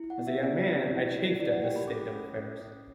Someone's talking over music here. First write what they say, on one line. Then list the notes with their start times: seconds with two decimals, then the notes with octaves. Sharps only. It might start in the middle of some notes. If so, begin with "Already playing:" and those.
As a young man, I chafed at this state of affairs.
Already playing: E4
0.10 F#5
0.18 B3
0.27 E5
0.42 B3 D5
0.67 G4
0.91 E4
1.15 E4
1.40 E4 D5
1.52 F#5
1.64 G4 G5
1.76 B5
1.88 C#4 D6
2.12 C#4
2.36 C#4
2.61 C#4